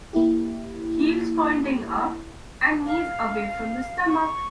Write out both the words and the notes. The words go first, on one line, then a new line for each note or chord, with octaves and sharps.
Heels pointing up and knees away from the stomach.
A#3 E4 G4
F5
C#6